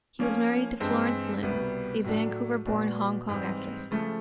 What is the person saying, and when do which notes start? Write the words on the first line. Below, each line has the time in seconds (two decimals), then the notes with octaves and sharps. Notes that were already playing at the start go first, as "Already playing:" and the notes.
He was married to Florence Lim, a Vancouver-born Hong Kong actress.
0.19 F3 A#3 C#4
0.80 G2 E3 G#3 C4
1.43 C2 B2 G3 B3
2.04 A2 F#3 A3 D4
2.67 A#2 F#3 B3 D4 F#4
3.29 G#2 E3 G3 C4
3.91 C#3 F3 A3